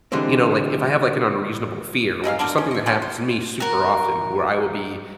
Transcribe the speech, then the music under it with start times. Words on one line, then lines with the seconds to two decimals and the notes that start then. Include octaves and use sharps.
You know, like if I have, like, an unreasonable fear, which is something that happens to me super often, where I will be
0.12 D3 E3 G3 G#3 C4
2.24 D#4 G#4 E5 F5
2.39 D3 D4 F#4 A#4
2.58 C#4
2.71 D#5 E5
2.86 D3 E3 F3 C#4
3.02 C5
3.60 F#4 A#4